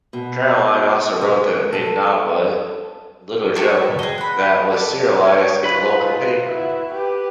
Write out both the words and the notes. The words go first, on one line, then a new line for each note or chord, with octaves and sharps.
Caroline also wrote a novelette "Little Joe" that was serialised in the local paper.
B2
G#3
A4
F#4 G4 A4 E5 A#5 C#6
B4 G5
G#4 D#5
F#5 B5
A4 B4 D5
C#5
D#4 F4 B4 B5
E4 F#4
G4 B4